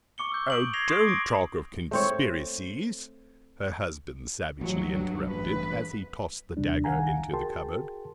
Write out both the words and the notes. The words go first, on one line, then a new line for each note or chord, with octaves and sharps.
"Oh, don't talk of Conspiracies!" her husband savagely interrupted, as he tossed the dagger into the cupboard.
C#6 D6 C#7 G7
E6 G6
D#6 D7 F#7
G#6 A#6 C7 F7 G7
C6 C#6 D#6 C7 D7
D6 A#6 D7
A3 C4 C#5
A1 F3 F#3
G2
A1 G2 B4
D#2 C3 G3 D4
C2 D#3 F5 F#5 G#5 A#5
F#4 G#4 A#4 G5 A5 C6